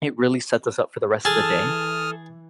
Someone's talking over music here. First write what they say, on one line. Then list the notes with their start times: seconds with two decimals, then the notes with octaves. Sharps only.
it really sets us up for the rest of the day.
1.25 E3 G#4 A4 A5 D#6 F6